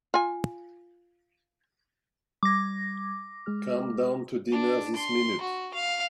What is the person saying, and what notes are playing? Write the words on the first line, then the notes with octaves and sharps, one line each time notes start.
Come down to dinner this minute.
F4 G#5
G3 D6 G#6 A#6
G#3 G#4 F6
D4
C6
F#4
F5